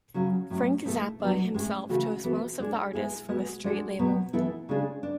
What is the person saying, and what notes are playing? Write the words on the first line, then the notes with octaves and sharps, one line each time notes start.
Frank Zappa himself chose most of the artists for the Straight label.
C#3 F#3 C#4
A2 F#3 C#4
B2 A3 E4 A4
F#3 B3 D4
A2 G#3 C#4 G#4
C#3 E3 A3 C#4 F#4
E3 B3 F#4 A4
G#3 D4 G#4
G#3 B3 E4 G#4
G#3 B3 F#4
G#3 D4 F#4 A4
B2 F#3 B3
E3 B3 E4 A4
C#3 G#3 D4 G#4
D4